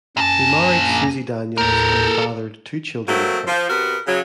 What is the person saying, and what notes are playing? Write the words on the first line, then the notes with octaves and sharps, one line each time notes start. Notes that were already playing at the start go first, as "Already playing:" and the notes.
He married Suzy Daniels and fathered two children with her.
F#2 A#2 G#5 A5 A#6
D#2 A2 A4 A#4 G6
F#3 A3 A#3 C4
F3
C3 B3 F#4 A#4
C#3 F#3